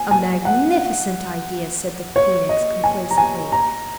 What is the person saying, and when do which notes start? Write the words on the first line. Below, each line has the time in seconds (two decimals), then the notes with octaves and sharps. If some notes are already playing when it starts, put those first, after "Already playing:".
'A magnificent idea!' said the Phoenix, complacently.
Already playing: G#5
0.11 G#5
0.45 F#5
2.16 C#5
2.49 D#5
2.84 G#5
3.10 A#5
3.18 G#5
3.52 A#5